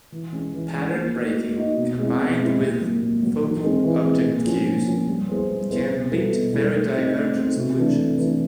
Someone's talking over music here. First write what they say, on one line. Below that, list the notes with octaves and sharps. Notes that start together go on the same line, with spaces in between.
Pattern-breaking, combined with focal object cues, can lead to very divergent solutions.
E3
G#3 C#4
E3
G#3 C#4
A#3
D#4 F#4
A#3
D#4 F#4
B2
G#3 C4 E4
B2
G#3 C4 E4
A#2
F#3 A#3
A#2
F#3 A#3
E3
G#3 C4
E3
G#3 C4
A#2
F3 A#3 C#4
A#2
F3 A#3 C#4
G3
B3 E4 G#4 C5
G3
B3 E4 G#4 C5
B2
G3 B3 E4 A4
B2
G3 B3 E4 A4
A3
C4 D#4
A3
C4 D#4
C3
E3 A3 D4
C3
E3 A3 D4